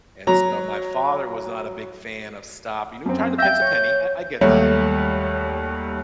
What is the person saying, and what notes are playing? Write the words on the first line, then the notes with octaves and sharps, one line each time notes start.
and so, my father was not a big fan of stopping, no trying to pinch a penny, I I get that.
F#3 A#5
F#2 C4
E5 F5 G5 G6 A#6
C#5
D#2 F#3 G3 A3